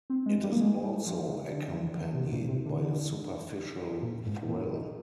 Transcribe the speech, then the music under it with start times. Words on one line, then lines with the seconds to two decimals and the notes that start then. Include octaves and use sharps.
It is also accompanied by a superficial thrill.
0.10 C4
0.26 G#3
0.43 G3
0.52 A#3
0.61 G#3
0.83 G3
1.07 F3
1.29 D#3
1.52 D3
1.74 F3
1.97 D#3
2.15 C3
2.32 A#2
2.49 C3
2.66 D3
4.02 A#2
4.25 G#2
4.48 A#2
4.71 D#3